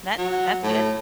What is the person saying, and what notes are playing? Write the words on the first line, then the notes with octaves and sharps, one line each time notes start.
That that's good.
F#3
A2